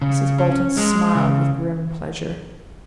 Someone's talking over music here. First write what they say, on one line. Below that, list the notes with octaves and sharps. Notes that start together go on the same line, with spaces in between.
Mrs. Bolton smiled with grim pleasure.
C#3
C#4
G#3
C#3